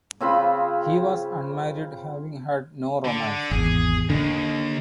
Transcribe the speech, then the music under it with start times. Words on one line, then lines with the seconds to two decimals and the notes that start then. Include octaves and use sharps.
He was unmarried having had no romance.
0.21 C#3 C4 F4 B5
3.05 D3
3.51 G#1 E2 G#4
4.10 D#2 D3